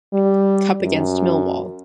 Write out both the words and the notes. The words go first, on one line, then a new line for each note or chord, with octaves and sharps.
Cup against Millwall.
G3
F#2